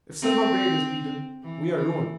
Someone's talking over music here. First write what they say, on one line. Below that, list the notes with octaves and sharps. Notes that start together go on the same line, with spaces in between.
If Silver Braid is beaten we are ruined.
C4
E3
E3